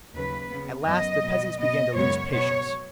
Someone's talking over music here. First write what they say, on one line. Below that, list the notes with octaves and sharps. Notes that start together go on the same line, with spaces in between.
At last the peasants began to lose patience.
D#2 C#3 F#3 B4
C#3 B3
F#2 F#3 B3 D#5
B2 F#3 B3
B2 B3 D#5
F#2 C#3 G#3 B3 C#5
B2 B3 C#5